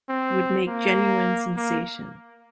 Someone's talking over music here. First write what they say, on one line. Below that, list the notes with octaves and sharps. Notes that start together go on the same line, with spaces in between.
Would make genuine sensation.
C4
A#3
A#3